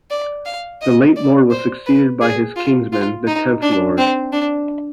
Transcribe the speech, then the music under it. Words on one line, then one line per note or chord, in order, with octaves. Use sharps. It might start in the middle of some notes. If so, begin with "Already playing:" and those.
The late Lord was succeeded by his kinsman, the tenth Lord.
D5
F5
D#5
D5
C5
B4
G#4
F4
F4
D#4
D4
C4
D4